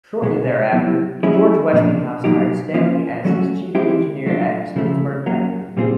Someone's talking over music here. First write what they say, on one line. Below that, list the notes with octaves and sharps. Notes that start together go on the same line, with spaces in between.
Shortly thereafter, George Westinghouse hired Stanley as his chief engineer at his Pittsburgh factory.
B2 G#3 B3
F#3 B3 E4
F#3 A3 C#4 E4 G#4
A#2 F3 A#3 D4
B2 F#3 A#3 D#4 G4
F3 A#3 C#4 F4
F#3 A3 C#4 F#4
G#3 C4 E4 G4
F#3 A3 D4 F4
C#3 F3 A3
F#3 A#3 C#4
A#2 G3 C4 F4 G#4